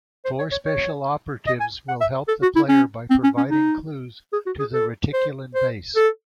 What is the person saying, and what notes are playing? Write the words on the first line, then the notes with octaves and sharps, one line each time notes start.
Four special operatives will help the player by providing clues to the Reticulan base.
C5
C#5
C#5
C#5
D#5
G#5
F#5
E5
A4
F#4
E4
C#4
C4
C#4
C#4
D#4
G#4
F#4
G#4
A4
C5
C5
A4